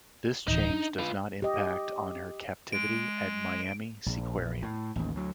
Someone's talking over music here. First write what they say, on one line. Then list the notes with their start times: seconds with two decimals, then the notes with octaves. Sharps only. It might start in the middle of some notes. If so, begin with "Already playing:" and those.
This change does not impact on her captivity at Miami Seaquarium.
0.48 D1 E3 D#4
0.71 D4
0.99 F4 B4
1.42 G4 D#5
2.73 G#3 D7
4.06 A#1
4.62 A2
4.96 A1 D#2
5.15 D2 F#3